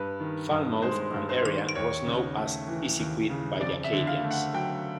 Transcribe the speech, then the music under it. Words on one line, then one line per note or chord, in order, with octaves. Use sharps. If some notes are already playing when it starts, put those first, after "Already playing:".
Falmouth and area was known as Pisiquid by the Acadians.
Already playing: G2 B4
D#3
G2
G#3 C5
G2
C5
D#3
D#2 C#5
C#3
A3
E3
D#2
C#3
F2 D5
E5
D3
F5
A3
F#5
F#3 G5